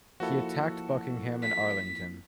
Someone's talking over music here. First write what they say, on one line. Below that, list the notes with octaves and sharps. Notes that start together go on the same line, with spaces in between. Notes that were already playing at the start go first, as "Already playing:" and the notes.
He attacked Buckingham and Arlington.
F3 A#3 E4 F#4 A4
B6